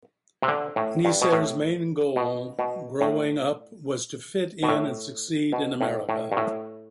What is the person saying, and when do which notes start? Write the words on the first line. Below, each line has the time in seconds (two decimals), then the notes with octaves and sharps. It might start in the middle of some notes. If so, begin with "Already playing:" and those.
Neisser's main goal growing up was to fit in and succeed in America.
0.42 C3
0.48 D3
0.76 A2
1.05 G2
1.22 B2
1.33 A2
2.16 B2
2.59 B2
3.01 A2
4.63 B2
4.69 A2
5.52 B2
5.81 A2
6.09 A2
6.32 G2
6.37 A2